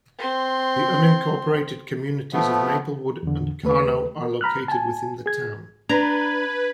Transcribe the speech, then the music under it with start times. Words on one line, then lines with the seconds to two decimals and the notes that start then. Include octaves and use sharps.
The unincorporated communities of Maplewood, and Carnot are located within the town.
0.19 C4 C6
2.33 F3 A3 B3
3.23 E2 D3
3.63 D#2 A3 B4
4.23 A#4
4.41 A#5 B5 F6 F#6
4.68 G#5 A5
5.26 G#4 G#6
5.89 D4 B4 A#5 G#6